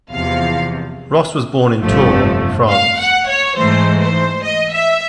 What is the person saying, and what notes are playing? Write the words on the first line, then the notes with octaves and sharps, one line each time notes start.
Ross was born in Tours, France.
E2 C3 F3 F5
G1 F2 C3 F3 A3
F5
F#5
C#5
G#2 E3 A3 C5
C5
D#5
E5